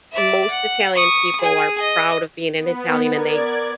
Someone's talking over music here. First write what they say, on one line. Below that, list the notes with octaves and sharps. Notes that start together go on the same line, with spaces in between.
most Italian people are proud of being an Italian and they
D5 E5
F#5
C#6 D#6
G#4 G#5
D#5
B3
A#4 D5 G#6